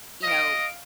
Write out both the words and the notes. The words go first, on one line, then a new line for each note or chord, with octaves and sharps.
you know
D#5 F5 D7